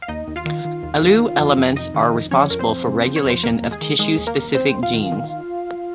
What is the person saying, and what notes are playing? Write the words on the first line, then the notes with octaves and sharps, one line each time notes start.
"Alu" elements are responsible for regulation of tissue-specific genes.
F5
D#2 D#4 D#5
D#2
F4 F5
D#3
D#3
D#2
D#2
D#3
F2
F2
C3 D#4 D#5
D#3
F2
F3 C#4 C#5
F2 A#4
C4 C5
F2
C3
F3
C#5
F2
C5
D#2 A#3 A#4
D#2
G#3 G#4
D#3
D#3 G#3 G#4
D#2
A#3 A#4
D#2
D#2 C4 C5
D#2
F4 F5
D#3
D#3